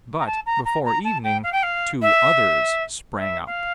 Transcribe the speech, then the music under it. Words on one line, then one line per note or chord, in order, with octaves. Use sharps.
But, before evening, two others sprang up.
A#5
A5
A#5
A#5
A#5
A5
G5
F5
G5
F5
E5
E5
F5